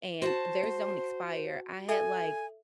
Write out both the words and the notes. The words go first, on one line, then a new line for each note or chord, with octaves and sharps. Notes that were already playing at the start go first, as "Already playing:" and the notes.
and theirs don't expire. I had, like
F#4 C5 A5
A4 E5 G#5